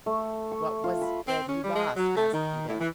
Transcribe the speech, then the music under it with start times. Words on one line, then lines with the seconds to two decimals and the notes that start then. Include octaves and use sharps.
"What was it he lost?" asked Edith.
0.06 A3
0.52 C#6
0.84 F4
1.02 B5
1.28 C4
1.47 C#4
1.63 G3
1.75 G#3
1.96 F#3
2.16 A3
2.33 D#3
2.67 A2
2.80 E3